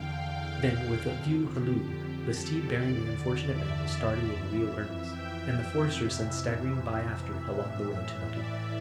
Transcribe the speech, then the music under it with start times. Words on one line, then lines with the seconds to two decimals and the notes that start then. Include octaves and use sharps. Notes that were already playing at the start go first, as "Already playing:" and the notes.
Then, with a "view halloo," the steed bearing the unfortunate man was started in real earnest; and the foresters sent staggering by after it along the road to Nottingham.
Already playing: E2 D3 F5 G5
0.31 F5
1.10 F2 D3
1.51 G4
1.91 G4
2.31 A4
2.70 E2 D3 D5
3.49 E5
4.29 F2 E3
5.09 G5
5.48 E5
5.88 F2 C3 E3 E5
7.47 A2 E3 E5
8.27 D5